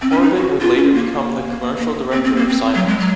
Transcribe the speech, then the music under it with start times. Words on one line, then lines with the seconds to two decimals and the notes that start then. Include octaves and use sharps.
Corbin would later become the commercial director of Simex.
0.02 C4
0.11 C#4
0.22 D#4
0.35 F#4
0.61 F4
0.77 C#4
0.94 A#3
2.12 C4
2.24 C4
2.36 A#3
2.49 C4
2.75 F#3
2.87 G#3
3.00 F#3